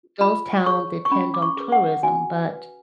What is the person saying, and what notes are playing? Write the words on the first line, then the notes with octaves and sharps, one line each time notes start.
those towns depend on tourism, but,
F4 B5
G#4 C#5 C#6
C#6
C#4 B5
D6
C#6
G#4 B4
F#5
F#4 G#5
B4